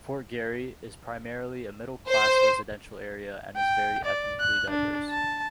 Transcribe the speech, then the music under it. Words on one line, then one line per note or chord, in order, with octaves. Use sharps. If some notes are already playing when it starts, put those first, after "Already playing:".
Fort Garry is primarily a middle class residential area and is very ethnically diverse.
C5
G5
D5
F#6
D4
A5